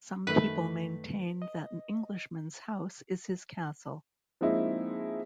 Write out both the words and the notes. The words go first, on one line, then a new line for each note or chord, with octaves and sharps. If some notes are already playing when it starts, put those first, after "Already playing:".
Some people maintain that an Englishman’s house is his castle.
F#2 D#3 A3 B4
D#5
F3 G#3 A#3 C4 D#4 E4